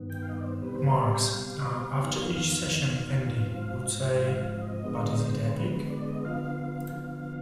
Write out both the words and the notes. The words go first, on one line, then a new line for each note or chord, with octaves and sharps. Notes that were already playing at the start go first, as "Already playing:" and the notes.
Marx: After each session Andy would say, 'But is it epic?
Already playing: G2 D#3 B3
G5
F5
D#5
D5
C5
B2 G3 C4 B4
C5
B4
D5
G5
B2 G3 C4 F5
F2 D#3 B3
F2 D#3 B3
G#2 F3 C4
G#2 F3 C4 F5
F5
D#5
D3 G#3 B3 D#5
C5
D3 G#3 B3 B4
B4
D5
D#5
D3 F3 B3 F5
D3 F3 B3